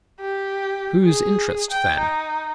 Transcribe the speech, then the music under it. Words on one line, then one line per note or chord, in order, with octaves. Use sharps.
Whose interest then?
G4
G#4
G5
D#4